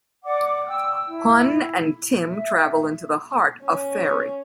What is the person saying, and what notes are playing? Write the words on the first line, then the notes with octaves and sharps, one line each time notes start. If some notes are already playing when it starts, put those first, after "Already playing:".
Huon and Tim travel into the heart of Faerie.
D5 F#5 D6
G5 E6
E4
E5
C#4